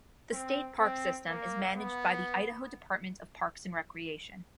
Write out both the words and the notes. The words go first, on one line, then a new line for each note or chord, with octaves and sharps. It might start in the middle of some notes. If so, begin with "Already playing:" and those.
The state park system is managed by the Idaho Department of Parks and Recreation.
C4
C4
A#3
B3